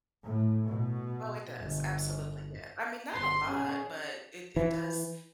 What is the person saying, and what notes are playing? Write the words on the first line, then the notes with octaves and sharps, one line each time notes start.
Oh, it does, absolutely, yeah. I mean, not a lot, but it it does
A2
B2
G1
G1 C6
C#4 G#4
E3